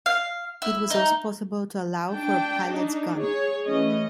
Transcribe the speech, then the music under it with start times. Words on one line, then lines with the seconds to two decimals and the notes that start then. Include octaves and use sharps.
It was also possible to allow for a pilot's gun.
0.06 F5
0.62 E4
0.90 D#4
2.10 D4 G5 A5
2.70 D4 D#4
3.19 G#4 C#5
3.66 E3 A3 C#4 D#5